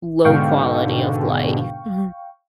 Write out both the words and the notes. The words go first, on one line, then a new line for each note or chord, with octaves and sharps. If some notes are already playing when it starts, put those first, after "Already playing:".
low quality of life mhm.
G#2 B2 D3 F5 G5 C#6